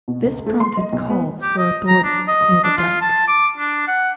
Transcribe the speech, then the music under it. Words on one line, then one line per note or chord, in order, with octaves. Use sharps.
This prompted calls for authorities to clear the Dyke.
B2
C#2
A3
C6
D#5
B1
B3
G4
D#5
A#5
D4
D#5
D4
F4
A5
D6
D4
F#5